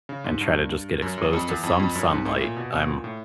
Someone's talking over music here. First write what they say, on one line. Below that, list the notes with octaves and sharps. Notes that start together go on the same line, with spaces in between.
and try to just get exposed to some sunlight, I'm
C#3
G#2
G2
F#2
F#2
F2
E2
F2
F2
F#2
G#2
A2
A#2
B2
B2
A#2
A2